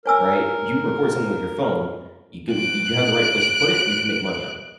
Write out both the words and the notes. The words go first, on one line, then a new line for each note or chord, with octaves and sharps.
right? You record something with your phone, you go y you have the right place to put it, you can make money on it,
A#4 C#5 G#5 E6
F#6 D7